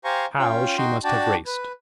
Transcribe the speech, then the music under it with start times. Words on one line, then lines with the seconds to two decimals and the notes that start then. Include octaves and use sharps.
How she must have raced!
0.05 G4 C5 F5 G#5 A#5 C#6
0.39 C#4 F4 G5
0.77 D#4 F#4 G5 C6
1.04 D4 F#4 D5 G5 A5
1.46 B4